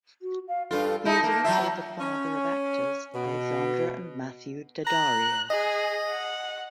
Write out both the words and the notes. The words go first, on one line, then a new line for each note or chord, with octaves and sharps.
He is also the father of actors Alexandra and Matthew Daddario.
F#4
F5
G2 F4 A4
D#4 E4 A5
A#3
F#3 F4 E5
C#4
B2
A#5 F#6
G#4 D#5
F#5